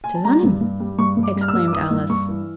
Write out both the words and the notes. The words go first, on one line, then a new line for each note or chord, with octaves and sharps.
'To Lunnon!' exclaimed Alice.
G#5
A5
G3 A#5
G2
G2
G3
G2 C#6
G2
D6
G3
F6
E6
G2
D6
E3 D#6
G2
G2 C#6
E3